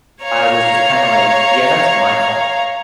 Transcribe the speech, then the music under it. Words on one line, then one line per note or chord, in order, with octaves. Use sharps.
I was just kinda like, "Yeah, that's my fault."
C#5 F5 A#5